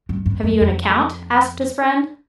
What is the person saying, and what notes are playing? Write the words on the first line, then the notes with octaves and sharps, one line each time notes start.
"Have you an account?" asked his friend.
G2
G2
F#2
F2